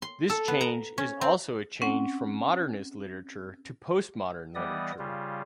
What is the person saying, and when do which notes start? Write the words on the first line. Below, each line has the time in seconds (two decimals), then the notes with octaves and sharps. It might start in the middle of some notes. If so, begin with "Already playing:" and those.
This change is also a change from modernist literature to postmodern literature.
0.02 C6
0.30 A4
0.48 B3
0.61 A#5
0.98 C#4
1.21 C4
1.82 C4 C#4 F#5
4.55 E3 G3 B3 D5 D#5 D#6
4.99 C#3 G3 F4